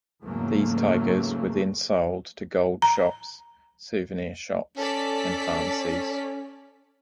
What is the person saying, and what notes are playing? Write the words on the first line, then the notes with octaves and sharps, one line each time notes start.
These tigers were then sold to gold shops, souvenir shops, and pharmacies.
E2 G#2 C#3 F#3 A3 A#3
A#5
C#4 A4 D5 B6